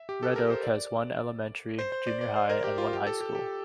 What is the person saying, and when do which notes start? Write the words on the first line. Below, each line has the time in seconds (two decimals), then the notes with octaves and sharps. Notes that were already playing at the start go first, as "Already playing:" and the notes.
Red Oak has one elementary, junior high, and one high school.
Already playing: E5
0.09 G4
0.23 A4
0.36 A#4
0.50 C5
0.63 D5
1.79 C5
1.92 C5
2.07 D5
2.21 D5
2.36 C5
2.49 A#4
2.64 G4
2.78 F4
2.93 G4
3.07 A4
3.21 G4
3.35 G4